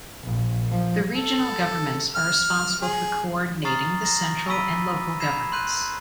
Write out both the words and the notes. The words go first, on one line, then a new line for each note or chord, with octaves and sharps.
The regional governments are responsible for coordinating the central and local governments.
A#1
F3
A4
F6
G#4
A#5 C#6 D#6 F6 A6 C7
A#5 A#6
G#5 B5 C#6 E6 B6 D#7
B5 G#6 C7 E7
C6 F#6 G6 D#7 F#7